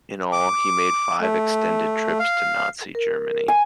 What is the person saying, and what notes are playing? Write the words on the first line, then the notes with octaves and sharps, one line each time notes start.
In all he made five extended trips to Nazi Germany.
D6
A3
F5
A#4
G#5